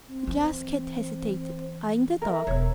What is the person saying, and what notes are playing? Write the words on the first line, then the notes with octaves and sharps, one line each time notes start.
The Glass Cat hesitated, eyeing the dog.
C4
E3
A#4 E5
E1 C#5